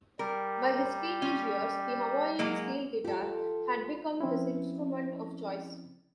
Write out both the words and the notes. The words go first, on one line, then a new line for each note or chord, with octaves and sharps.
By his teenage years the Hawaiian steel guitar had become his instrument of choice.
G3 A#4
C#4
F#3 G#3 A#3
F4 G4 A4
F3 C4 C#4 E4